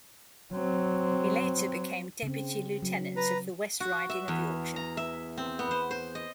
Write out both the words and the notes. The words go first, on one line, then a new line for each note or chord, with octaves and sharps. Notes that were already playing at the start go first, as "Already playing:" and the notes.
He later became deputy-lieutenant of the West Riding of Yorkshire.
F#3 C4
C#3 C4
F#3
B4 A#5
F#4
E5
E2
A#5
E5
C4
B3
C5
C5
D#5